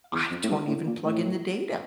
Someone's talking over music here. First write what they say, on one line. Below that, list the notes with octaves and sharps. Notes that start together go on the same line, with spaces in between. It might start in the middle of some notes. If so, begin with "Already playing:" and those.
I don't even plug in the data.
E2
F2
A2
G2
A2
A#2
A2